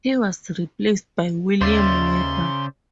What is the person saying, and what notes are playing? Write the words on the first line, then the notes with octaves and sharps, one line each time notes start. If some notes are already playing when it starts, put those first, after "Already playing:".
He was replaced by William Weber.
D#2 C#3 C5 D5 E5 C6